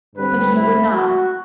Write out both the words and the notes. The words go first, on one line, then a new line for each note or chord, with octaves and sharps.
But he would not.
G2 D3 G3 C4 B4
E4
F#4